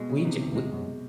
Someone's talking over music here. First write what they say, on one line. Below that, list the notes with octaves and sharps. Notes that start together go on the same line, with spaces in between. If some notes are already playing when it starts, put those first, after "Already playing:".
We ju we
Already playing: B2 G#3
C#3
C3 E3
D2
G#3
F#2